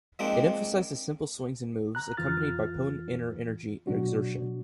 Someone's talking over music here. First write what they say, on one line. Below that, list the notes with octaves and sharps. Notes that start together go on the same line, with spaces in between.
It emphasises simple swings and moves accompanied by potent inner energy exertion.
F3 G#3 A#3 C4 D4 D#4
A#5 F#6
F2 E3 F4 F6 A6
B2 F#3 D4 F#4